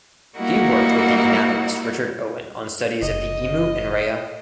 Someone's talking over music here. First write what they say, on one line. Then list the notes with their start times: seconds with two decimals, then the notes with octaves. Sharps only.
He worked with the anatomist Richard Owen on studies of the emu and rhea.
0.37 G3 A#3 D#4 E4 F#4 F#5
3.02 F#1 D#5